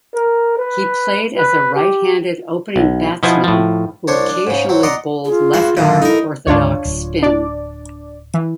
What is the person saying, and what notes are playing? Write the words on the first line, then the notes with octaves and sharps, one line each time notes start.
He played as a right-handed opening batsman who occasionally bowled left-arm orthodox spin.
A#4
B4
B4
G4
B1
B2 F3 B3 E4 C5 G#5
A2 F3
C2 D4 C5 C#5 A5
D4
G#2 C#3
F#3 C4
D5 D#5 F#5 A#5 C6
F4 G#4
G2 F#4 C5
F#2 A#2 D3 D#3
D#4 E4 A4 A#4
D2 G#2 D4 F4 C#5
D1
D4 D5
E3